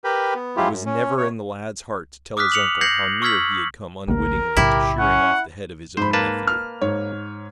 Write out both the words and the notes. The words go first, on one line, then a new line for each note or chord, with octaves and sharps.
It was never in the lad's heart to tell his uncle how near he had come unwittingly to shearing off the head of his own nephew.
G4 A#4 B4 G5 B5
B3
F3 F#3 G#3 E4 F4 G4
F#2
C#4
C3 C#5
D6 D#6 F6 F#6 B6
C#7 F7 F#7
G6 G#6 A#6 C7 C#7 F#7
C#6 E6 F6 G#6 B6 F#7
A1 D2 A#3 A#4
B1 A2 C#3 E4 G4
C#4 F#5
G#2 C5 B5
A#3 B4 A5
F6
G#2 C#5